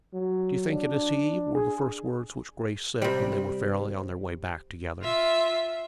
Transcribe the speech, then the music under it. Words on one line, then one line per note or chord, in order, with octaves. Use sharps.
"Do you think it is he?" were the first words which Grace said when they were fairly on their way back together.
F#3
D4
G#4
C3 G3
F4 E5